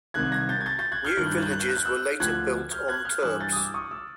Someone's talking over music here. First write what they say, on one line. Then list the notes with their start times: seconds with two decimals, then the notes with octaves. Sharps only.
New villages were later built on terps.
0.14 C2 C3 D#3 F#6 G#6
0.32 G#6 A#6
0.49 G6 A6
0.61 G#6
0.66 G6 A6
0.79 G6 A6
0.92 F#6 G#6
1.05 F6 G6
1.17 G2 D#3 F#6
1.26 G6
1.35 F#6
1.43 G6
1.52 F#6
1.60 G6
1.69 F#6
1.77 G6
1.85 E6 F#6
2.20 D2 D3 F3 F#6 G#6
2.71 F6 G6
2.88 F#6 G#6
3.05 F6 G6
3.23 G2 E3 E6 F#6
3.40 G6 A6
3.52 D#6
3.57 D6 E6
3.74 C#6 D#6
3.91 D6 E6